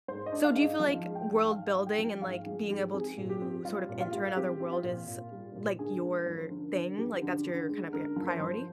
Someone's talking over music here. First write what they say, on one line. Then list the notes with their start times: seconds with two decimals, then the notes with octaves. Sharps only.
So do you feel like world building, and, like, being able to sort of enter another world is, like, your thing, like, that's your kinda prio priority?
0.08 G#2 C5
0.26 D#5
0.32 D4
0.44 F5
0.56 G#2
0.61 D#5
0.80 F3 F5
1.04 G#3
1.15 G5
1.27 G#2
1.51 G#2 F5
1.75 G#2
1.86 G5
1.98 F3
2.22 G#2 F5
2.46 F3 G#4
2.70 G#2 G4
2.93 C4 G#4
3.18 A#2
3.29 G4
3.41 C4
3.65 G3 F4
3.89 A#2
4.01 F4
4.12 G3
4.36 C4 G4
4.60 C4
4.72 F4
4.84 A#2
5.08 A#2
5.31 G3
5.56 A#2
5.79 D3 G#4
6.03 G#3 A#4
6.26 F3 C5
6.50 D3 A#4
6.74 D3
6.98 F3 G4
7.22 D3
7.45 D3
7.69 G#3
7.93 D3 A#4
8.16 F3
8.28 C5
8.41 F3